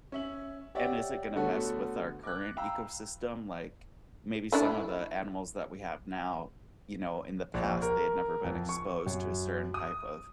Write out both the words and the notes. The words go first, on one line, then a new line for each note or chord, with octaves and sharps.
and is it gonna mess with our current ecosystem? Like, maybe some of the animals that we have now, you know, in the past they had never been exposed to a certain type of
C#4 E5 F#7
G4 C#5 D5 E5 F#5 G5
D3 A3 B3 F#4 A4 C#5
D6 F#6
F5 G5 A#5 B5 E6
A3 D4 E4
A#1
A#4
F2
C#6
F#2
D#6